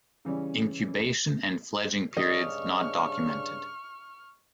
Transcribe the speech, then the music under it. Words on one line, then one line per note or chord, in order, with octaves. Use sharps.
Incubation and fledging periods not documented.
C#3 E3 G3 C#4
G2 C#3 D4 D#5 C#6 F6